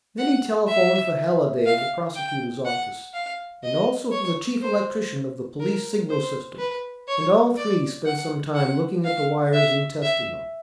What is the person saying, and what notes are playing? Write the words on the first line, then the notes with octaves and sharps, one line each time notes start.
Then he telephoned for Haliday of the prosecutor's office, and also for the chief electrician of the police signal system, and all three spent some time looking at the wires and testing them.
F#5
E5
F5
G5
F#5
F5
D#5
C#5
C5
A#4
C5
B4
C#5
D5
F#5
F#5
F5
E5
E5